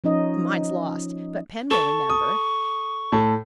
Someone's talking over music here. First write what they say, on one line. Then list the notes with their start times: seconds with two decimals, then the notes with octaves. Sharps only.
Mine's lost, but Pen will remember.'
0.04 F3 C#4 D#4 D#5
1.71 A4 C#6 E7
2.10 D#6
3.12 A2 A4 A5